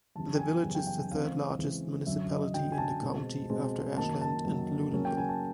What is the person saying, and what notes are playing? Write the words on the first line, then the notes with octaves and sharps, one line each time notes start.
The village is the third largest municipality in the county after Ashland and Loudonville.
F#2 C#3 E3 G3 B3 A5
G5
G#5
F#2 C#3 E3 G3 B3
G5
G5
G5
C#3 E3 G#3 C4 F5
C#3 E3 G#3 C4
F#2 D3 F#3 E5
D#5
F#2 D3 F#3 G5
G#5
A5
B2 G#3 C4
B2 G#3 C4
F#2 D#3 F#3 A#3 A5
A5
F#2 D#3 F#3 A#3
C#3 F#3 A#3 C#4
G5
G#5
A5